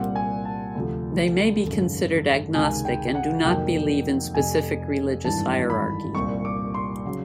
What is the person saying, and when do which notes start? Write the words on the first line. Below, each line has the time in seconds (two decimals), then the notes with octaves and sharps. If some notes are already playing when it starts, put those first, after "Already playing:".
They may be considered agnostic and do not believe in specific religious hierarchy.
Already playing: C2 A#2 G3 C4 F#5
0.16 G#5
0.45 A5
0.75 D2 C3 F3
1.65 G#1 F#2 C#3
2.55 C#2 C3 D#3 G#3 G#5
2.85 G5
3.15 F#5
3.44 F2 C3 D#3 F#3 A#3 G5
4.34 F1 F2 C3 G#5
5.25 G#1 G2 E3 A5
5.70 B5
6.15 C2 A#2 G3 C4 C#6
6.45 D6
6.74 C6
7.05 C#3 F#3